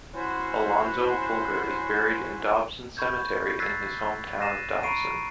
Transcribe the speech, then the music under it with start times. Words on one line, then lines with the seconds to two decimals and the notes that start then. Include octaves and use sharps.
Alonzo Folger is buried in Dobson Cemetery in his hometown of Dobson.
0.14 C#4 E4 F#4 C5
2.97 B5 C#6 G6 G#6
3.59 E6 F#6 G#6 A6 B6 C7
4.40 F#6 A6 A#6 C7 D#7 E7
4.83 A#5 B5 C#6 C7 D7 D#7